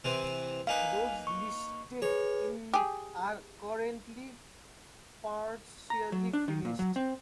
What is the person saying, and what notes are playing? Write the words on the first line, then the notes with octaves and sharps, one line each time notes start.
Those listed in are currently partially finished.
C3 E3 C4
A#3 D#4 B4 F5 G#5
C#6
G#4 B4 C#5
G4 G#4
A#5
F#3
D4
D#3
A#2
F#3
C4